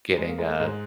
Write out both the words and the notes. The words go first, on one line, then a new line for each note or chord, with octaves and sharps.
getting a,
G#3
A#3
G#3
A#3
G#2 G#3